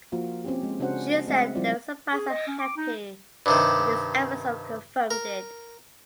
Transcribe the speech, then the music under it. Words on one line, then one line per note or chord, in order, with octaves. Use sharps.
She said they were surprised and happy that this episode confirmed it.
F3 A#3 F4 F#4
C4 C#4 G4
G#3
C#3 C#4 D4 F#4 C5 F#5
G#3 A3 C4 D#5 E5 F#5
F3 G3 C4 E4 F4 D5
G#4
D#5
C#4
D6
D#4
G2 C3 D#3
A#4